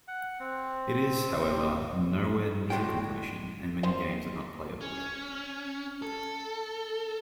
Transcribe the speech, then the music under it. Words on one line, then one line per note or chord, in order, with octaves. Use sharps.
It is, however, nowhere near completion and many games are not playable yet.
F#5
C4
A2 D3 G#3 A3 F#4 G5
D#3 C#4 C5
C#4
A4